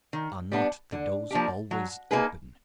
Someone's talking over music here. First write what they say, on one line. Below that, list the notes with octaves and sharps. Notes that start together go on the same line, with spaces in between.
Are not the doors always open?
D#3
G3 B3 D4
D3
F3 A#3 D4 G4
F#3
A#3 D#4 G#4 B4